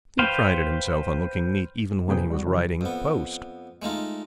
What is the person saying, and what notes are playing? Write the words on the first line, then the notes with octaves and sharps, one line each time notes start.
He prided himself on looking neat even when he was riding post.
B4 C5 F5 G5
A2 C3 A#3 G#4 B4 G5
G3 F#4
C#3 E3 F#3
F2 B3
G#3 A3 D#4 F4